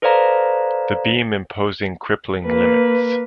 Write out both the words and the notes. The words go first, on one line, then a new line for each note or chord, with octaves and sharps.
The beam imposing crippling limits.
A4 B4 C5 D5 F5 A#5
A#3 B4